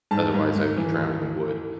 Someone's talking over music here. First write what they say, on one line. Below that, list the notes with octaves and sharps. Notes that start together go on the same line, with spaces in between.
otherwise I'd be drowning in wood.
G#2 A5
G#2
G#2
E3